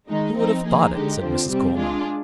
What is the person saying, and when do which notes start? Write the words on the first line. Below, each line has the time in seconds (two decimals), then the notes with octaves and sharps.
"Who would have thought it?" said Mrs. Coleman.
0.08 D#3 G#3 D#4
0.36 F3 C4 D#4
0.64 F3 A#3 D#4 G#4
0.92 D3 G#3 D#4 G4
1.21 D3 F3 C4
1.48 C3 G3 C4
1.77 G#3 D4 F4 G#4